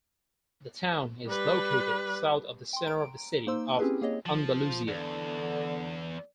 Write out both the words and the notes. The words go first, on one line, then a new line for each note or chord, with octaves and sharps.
The town is located south of the center of the city of Andalusia.
G3 B4
G5 C6
A#5 D7
A#3 D#4 C5 C6 E6
C4 C#4 E4 G4 G#4 B4
A#3 G#4 C#5 D#5
F3
E2 D3